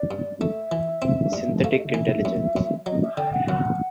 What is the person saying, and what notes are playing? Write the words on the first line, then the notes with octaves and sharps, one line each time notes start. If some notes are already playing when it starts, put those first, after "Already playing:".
Synthetic Intelligence.
Already playing: D5
G2
A3 E5
E3
C4
G2
A3 F5
E5
D#5
E5
E3
F#2
F#2
F#3 D#5
E5
D3 G5
F#5
F#2 F#5